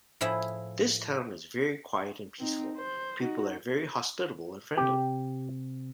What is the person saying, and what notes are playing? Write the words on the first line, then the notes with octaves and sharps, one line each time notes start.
This town is very quiet and peaceful, people are very hospitable and friendly.
A2 F3 E4 G#4 E5
C4 D#4
C5
D#4 F#4
C3 C4 G4